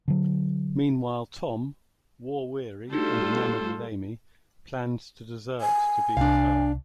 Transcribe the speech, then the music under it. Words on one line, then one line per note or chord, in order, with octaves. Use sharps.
Meanwhile, Tom, war-weary and enamored with Amy, plans to desert to be with her.
D3 F#3
G3 A3 D4 D#4 F4 F#4 A4 C5
G#5
C2 D4 F5